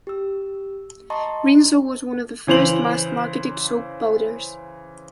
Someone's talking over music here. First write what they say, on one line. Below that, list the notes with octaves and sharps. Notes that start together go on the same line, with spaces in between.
Rinso was one of the first mass-marketed soap powders.
G4 E6
D#5 A5 A#5 C6 C#6
C#3 E3 C5 F7 F#7